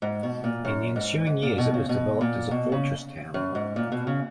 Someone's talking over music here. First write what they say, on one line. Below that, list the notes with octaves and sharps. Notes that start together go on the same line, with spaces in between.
In the ensuing years it was developed as a fortress town.
G#2
B2
A#2
F#2
G#2
G#2
A#2
B2
C#3
B2
A#2
B2
C#3
F#2
G#2
A#2
B2
C#3